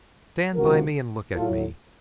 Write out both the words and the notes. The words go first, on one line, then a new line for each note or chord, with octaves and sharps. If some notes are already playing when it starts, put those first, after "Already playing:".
Stand by me and look at me.
C#2 C3 F3 F#4 A#4
A2 F#3 F4 A4